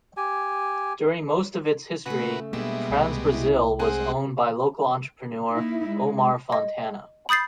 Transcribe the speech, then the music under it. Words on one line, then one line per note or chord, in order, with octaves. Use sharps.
During most of its history, Transbrasil was owned by local entrepreneur Omar Fontana.
G4 G#5
C#3 A3 F#4 B4
B2 G3 G#3 A#3 D4 E5
C2 A3
E4
G#3 C4 G#4 F#5 G#5
A#3 D#4 E4
G#3
D#5
B5 D#6 G6 A6 C7